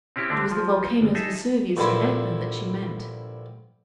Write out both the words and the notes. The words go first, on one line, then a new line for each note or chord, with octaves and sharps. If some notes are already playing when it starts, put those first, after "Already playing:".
It was the volcanoes Vesuvius and Etna that she meant.
C4 C#4 E4 G4
D3 A3 C4 D4
F3
G1
D#4 G#4 A4 E5
A#1 G2 D3 E4 C6